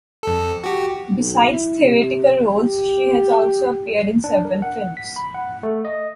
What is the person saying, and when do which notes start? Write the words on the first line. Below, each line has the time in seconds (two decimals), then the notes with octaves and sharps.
Besides theatrical roles she has also appeared in several films.
0.23 F2 A4
0.64 F#4 G4
1.16 B1
1.50 E4
1.83 C3
2.49 G4
4.24 D4
4.45 A#4
4.62 F#5
4.97 B6
5.16 B5
5.35 F#5
5.63 A3
5.85 D#5